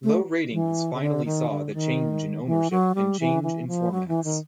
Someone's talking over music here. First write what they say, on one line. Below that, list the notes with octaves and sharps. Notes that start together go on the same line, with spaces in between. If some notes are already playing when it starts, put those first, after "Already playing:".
Low ratings finally saw the change in ownership and change in formats.
A3
E3
C#3
D3
D#3
D3
D#3
E3
F#3
G3
E3
E3
F3
F#3
E3
D#3